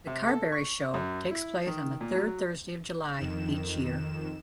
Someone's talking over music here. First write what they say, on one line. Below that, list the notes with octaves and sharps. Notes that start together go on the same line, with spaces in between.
The Carbery Show takes place on the third Thursday of July each year.
C3
A4
C#6
F#2
E4
D#3
A#2
F#3
F2 D#3 E7